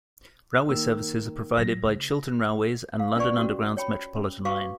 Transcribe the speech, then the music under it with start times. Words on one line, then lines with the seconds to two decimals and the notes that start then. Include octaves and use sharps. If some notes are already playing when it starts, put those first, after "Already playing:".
Railway services are provided by Chiltern Railways and London Underground's Metropolitan line.
0.69 D#3 A#3 E6
1.57 A2 F#3 A#6
1.83 C#3 A3
3.00 F5
3.16 C#4 F4 B4 D5 C#6
3.38 C#4 F#4
3.77 C#5 G5 B5
4.16 C#4
4.45 F#4 B4 F5 C#6 D6